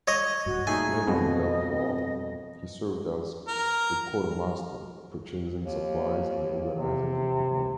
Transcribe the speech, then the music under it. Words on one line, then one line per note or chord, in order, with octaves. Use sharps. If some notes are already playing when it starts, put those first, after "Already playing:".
Later in that war, he served as a quartermaster, purchasing supplies and organizing equipment.
C#5 D#5
D1 G2 F#4
A#2 A3 D#4 G#4 G#5
F2 B2 G3 C4 D#5
A#4
D#2
C3